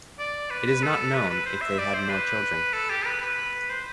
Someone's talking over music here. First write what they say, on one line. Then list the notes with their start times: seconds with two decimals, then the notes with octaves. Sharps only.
It is not known if they had more children.
0.19 D5
0.50 B4
0.67 B4
0.82 A4
1.14 B4
1.30 B4
1.45 C5
1.61 E5
1.78 D5
1.94 C5
2.09 B4
2.73 A4
2.90 G4
3.06 B4
3.21 B4
3.70 C5